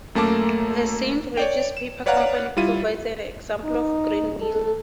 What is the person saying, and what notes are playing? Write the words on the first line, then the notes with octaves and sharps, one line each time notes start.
The Saint Regis Paper Company provides an example of greenmail.
F#2 A3 A#3 A5 D6
C#5 D5 G5
E7
B4 C#5 D5 F5 F#5 A#5
G3 E4 F4 D#7
D#4
A4